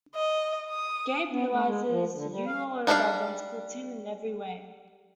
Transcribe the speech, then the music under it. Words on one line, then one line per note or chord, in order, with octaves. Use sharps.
Gabe realizes Yulaw is identical to him in every way.
D#5
D#6
B3
A3
G#3
F3
D3
G3
F5
G3 D4 D5 E5 F5